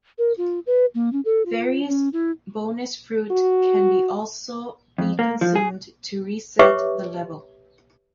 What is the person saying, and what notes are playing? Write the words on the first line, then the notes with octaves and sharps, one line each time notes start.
Various bonus fruit can be also be consumed to reset the level.
A#4
F4
B4
A#3
C#4
A4
F4
C#4
E4
F#4
F2
A#3
F3
G#4
G4 B4 C#5 E5 C#6 D6